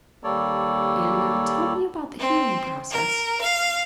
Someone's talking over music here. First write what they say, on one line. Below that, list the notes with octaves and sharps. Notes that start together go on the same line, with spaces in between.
"And now tell me about the healing process."
D#2 G3 A#3 A4 C#5 D5
C4
A#4
F5